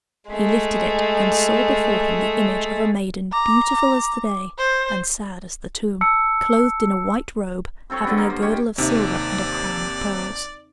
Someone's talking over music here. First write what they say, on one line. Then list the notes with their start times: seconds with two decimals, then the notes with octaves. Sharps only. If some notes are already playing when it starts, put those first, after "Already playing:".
He lifted it, and saw before him the image of a maiden beautiful as the day and sad as the tomb, clothed in a white robe, having a girdle of silver and a crown of pearls.
0.30 G#3 A3
3.33 A#5 D6
4.59 C5
6.01 A5 E6 C#7
7.90 C4 F4 A4 C#5
8.04 D3 B3
8.17 F3 A#3
8.30 A#3
8.42 G4 C#5 D#5
8.78 D#2 C3 C4 D#4 D5 E5